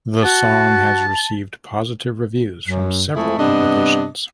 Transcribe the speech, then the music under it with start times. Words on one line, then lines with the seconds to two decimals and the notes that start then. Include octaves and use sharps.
The song has received positive reviews from several publications.
0.23 F#4 A5
2.68 F#2
3.15 F2 G#3 A3 E4 G#4
3.39 G2 C3 B3 D4 D#5